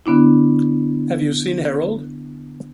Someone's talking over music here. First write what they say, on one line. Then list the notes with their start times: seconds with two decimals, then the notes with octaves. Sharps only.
Have you seen Harold?
0.06 D3 B3 D4 E4